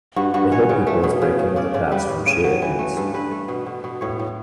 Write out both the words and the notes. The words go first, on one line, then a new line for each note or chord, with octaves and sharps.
A whole people is breaking with the past from sheer ignorance.
G2 F#4
G2 F#4
E3 C#5
C#3
A3
B2
C#3
C#3
C#3 D5
C#3 D5
G3 B4
A2
C#3
F#3
E3
A3
G2 A4
G2 B4
A3
B2
B2
B2
A2 C#5
A2